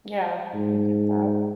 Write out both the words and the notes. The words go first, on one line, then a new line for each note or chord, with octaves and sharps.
yeah, I get that.
G#2